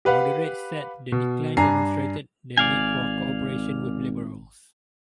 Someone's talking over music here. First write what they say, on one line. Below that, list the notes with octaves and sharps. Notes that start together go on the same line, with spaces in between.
Moderates said the decline demonstrated the need for cooperation with Liberals.
G4 B4 F5 F#5
B2
G2 D4 G#5 A#5 C7
G#1 D5 F5 G#5